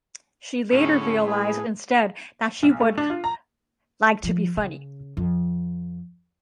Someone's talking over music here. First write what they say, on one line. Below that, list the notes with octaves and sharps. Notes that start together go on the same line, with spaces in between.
She later realised instead that she would "like to be funny".
A2 D3 C#4 G#4
G#4 B4
B1
A3
D4
F4
A#5
F3
C#3
F2